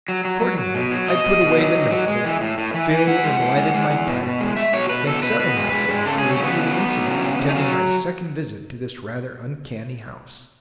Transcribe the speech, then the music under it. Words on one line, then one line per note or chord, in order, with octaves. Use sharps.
Accordingly I put away the notebook, filled and lighted my pipe, and settled myself to review the incidents attending my second visit to this rather uncanny house.
F#3
F#3
F#3
F#3
B2
F#3
B2 D#5
B2
B2
F#3
F#3
F#3
G#3
E3
A2
A2
E3
E3
E3 F#5
G#3
A2
G#3
G#3
E3
B2
B2
G#3
G#3 E5
B2 C#5
B2 B4
B2 A4
B2 B4
B2 B4
G#3
G#3
G#3
C#3 A4
F#3 G#4
C#4
C#3 B3
F#3
F#3
F#3
C#3
C#3
C#3
D#4
F#3 C#4